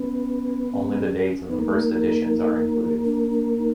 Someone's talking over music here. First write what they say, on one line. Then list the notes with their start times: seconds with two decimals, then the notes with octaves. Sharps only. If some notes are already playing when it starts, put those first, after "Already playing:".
Only the dates of the first editions are included.
Already playing: B3 C#4
0.71 C#4
1.49 B3 D#4
1.59 A#3
1.68 A3
1.77 A#3
3.05 D4
3.31 D4
3.57 D#4